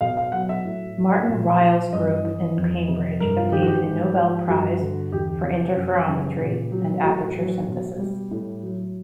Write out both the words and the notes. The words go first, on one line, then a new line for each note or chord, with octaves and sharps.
Martin Ryle's group in Cambridge obtained a Nobel Prize for interferometry and aperture synthesis.
B2 F5
F5
F#3 F#5
E5
A2
F#3
A#2
F3
G2 D#5
E3
F2
C3
G2 A#4
F4
D#3 G4
F#4
G4
G#2
F3
G2 F#4
D3
E2 G4
C3
F#2
C#3
A#2
F#3
A2 F#4
F#3
B2
G3
A2
F#3